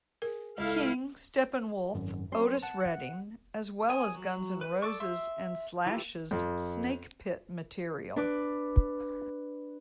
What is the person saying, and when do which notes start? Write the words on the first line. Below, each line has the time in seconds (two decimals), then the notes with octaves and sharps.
King, Steppenwolf, Otis Redding, as well as Guns N' Roses and Slash's Snakepit material.
0.22 G#4 A#4
0.58 C#2 E4 A4 F5
1.94 G#1 F#2
2.32 F#3 C4 C#4 C6
2.63 F#5 A5
2.80 F#5
3.89 C#5 G#5 D#6
4.14 F#3
4.61 B4
4.82 A4 D5 C#6
5.00 E5 C6 E6
5.86 E3 E4 F4 G4 A4
6.31 F2
8.16 D4 B4 D6